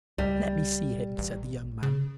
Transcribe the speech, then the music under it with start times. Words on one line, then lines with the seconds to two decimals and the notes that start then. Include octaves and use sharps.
"Let me see him," said the young man.
0.18 C#2 G3
1.18 A1
1.83 C#3